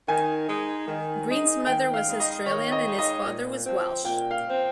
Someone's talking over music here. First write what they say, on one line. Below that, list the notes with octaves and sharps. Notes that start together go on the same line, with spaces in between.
Green's mother was Australian and his father was Welsh.
D#3 G#5
G#3 D#4
D#3
G#3 D#4
D#3 G5
F5
G#3 D#4
D#5
D#3 C#5
D#5
G#3 D#4
D#5
A#2
F3 C4
A#2 G5
F5
F3 C4